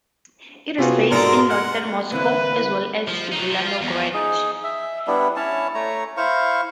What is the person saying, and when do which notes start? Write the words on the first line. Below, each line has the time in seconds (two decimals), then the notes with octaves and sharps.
It is based in Northern Moscow as well as Zelenograd.
0.78 C3 B3 C#4 F4 F#4 G#4
1.12 G#2 B2 A4 A#4 D5 A#5 C6
1.50 F#5 F6
2.12 D3 E3 A#3 C4 E4 B4 F#6
3.08 F3
3.32 F#3 D#4
3.50 F3
3.66 F4
3.81 E2
4.14 D#4 G#4
4.64 E5
5.07 G3 B3 D4 E4
5.36 C#4 E4 C#5 A5
5.75 A3 C#5 A#5
6.17 E4 C5 F5 C#6